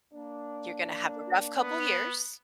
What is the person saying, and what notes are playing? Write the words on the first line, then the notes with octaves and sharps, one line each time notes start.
you're gonna have a rough couple of years"
A#3 D4
B3